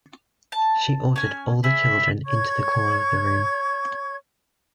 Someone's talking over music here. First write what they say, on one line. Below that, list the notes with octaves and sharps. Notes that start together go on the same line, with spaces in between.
She ordered all the children into the corner of the room.
A5
C#4 G#5
G#4 E5 B5
C#5 C#6 G#6